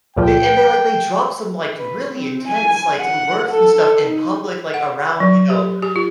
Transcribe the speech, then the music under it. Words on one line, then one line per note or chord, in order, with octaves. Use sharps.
they and they like they dropped some like really intense, like, s words and stuff in public, like around, you know
C#2 A#2 F3 G5
B4
C4
G#5
F#5
A4
D#4
F#5
F#3
G4
G4
F4